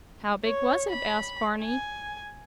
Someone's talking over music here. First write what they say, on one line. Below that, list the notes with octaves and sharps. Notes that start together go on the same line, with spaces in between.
"How big was it?" asked Barney.
C#5
B5
G#5